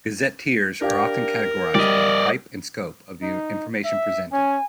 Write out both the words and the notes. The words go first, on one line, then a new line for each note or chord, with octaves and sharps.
Gazetteers are often categorized by the type, and scope, of the information presented.
D4 G4 A#4 F5
G3 D5 D#5
D#4
E5
C#4 G#5